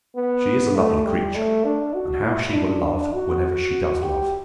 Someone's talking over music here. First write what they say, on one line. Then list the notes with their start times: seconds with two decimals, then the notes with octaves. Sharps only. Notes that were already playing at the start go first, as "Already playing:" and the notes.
She is a lovely creature; and how she will love whenever she does love!
0.16 B3
0.76 A3
1.06 G3
1.35 A3
1.64 D4
1.94 F#4
2.24 E4
2.54 D4
2.83 D4
3.13 F#4
4.02 G4